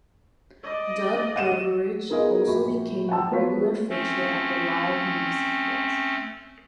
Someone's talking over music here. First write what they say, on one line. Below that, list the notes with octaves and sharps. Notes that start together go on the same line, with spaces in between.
Doug Beveridge also became a regular fixture at the live mixing desk.
D5 D#5
F#5 D#7 E7
B3 D#4 F4 G#4 A#4 D#5
A#1 F#4 B5
F#5 G5 A5 E6
A3 B3 F4 F#4 C#5 B6
A3 C4 C#4